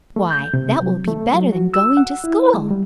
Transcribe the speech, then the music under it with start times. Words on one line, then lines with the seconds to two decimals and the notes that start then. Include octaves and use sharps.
"Why, that will be better than going to school!"
0.16 A3
0.31 G6
0.54 C3
0.81 F#3
1.08 A3
1.34 F#3
1.52 F#4
1.74 E6
1.97 F#5
2.24 E4
2.54 G#3
2.71 G3